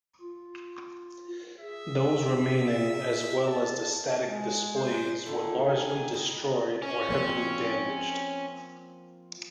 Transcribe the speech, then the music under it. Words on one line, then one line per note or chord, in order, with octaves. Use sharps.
Those remaining as well as the static displays were largely destroyed or heavily damaged.
F4
G#4 E5
A5
G#3
C5
D3 D#3 A3 E4
G#5
E4 D#5
C#4
F3 A#3 C4